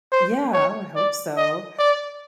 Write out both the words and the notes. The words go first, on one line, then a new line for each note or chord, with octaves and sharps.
Yeah, I would hope so.
C5
C#5
D5
D#5
D5